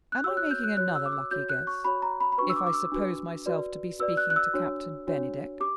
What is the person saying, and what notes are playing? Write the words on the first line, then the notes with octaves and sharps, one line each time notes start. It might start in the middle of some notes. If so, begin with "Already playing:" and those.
"Am I making another lucky guess if I suppose myself to be speaking to Captain Bennydeck?"
F#6
F#4 C#5 E6
F#6
G6
F#6
F#4 C#5 F#6
E6
D6
E6
F#4 C#5 G6
F#6
C#6
F#4 C#5 B5
A#5
B5
B5
D4 F#4 B4 C#6
E6
D6
D6
E6
D4 F#4 B4
F#4 B4 D5
F#4 B4 D5 E6
F#6
F#6
E6
D4 F#4 C#5
D4 F#4 C#5
G4 D6